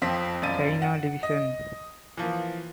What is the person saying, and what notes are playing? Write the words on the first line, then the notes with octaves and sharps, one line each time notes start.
China division.
F2 F3 C4 B6
B1 F#2 F3 D5 A6 D#7
F#5
D#5
E3 F3 A#3